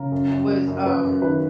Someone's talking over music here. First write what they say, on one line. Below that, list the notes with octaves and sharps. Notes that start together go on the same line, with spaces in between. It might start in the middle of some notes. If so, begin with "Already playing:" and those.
was, um,
Already playing: C#3 A#4
F#2
F#2
F#2
F#2
F#2 B4
F#2
D#3 B4